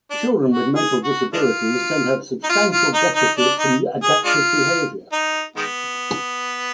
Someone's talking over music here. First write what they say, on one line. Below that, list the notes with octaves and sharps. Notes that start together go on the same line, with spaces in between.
Children with mental disabilities tend to have substantial deficits in adaptive behavior.
D4
F#4
G#4
F#4
G#3 D4 F4
D#4
F4
F4
D#4
D#4
D4
D#4
G#4
G#3 D4 F4
D#4
D#3 G#3 B3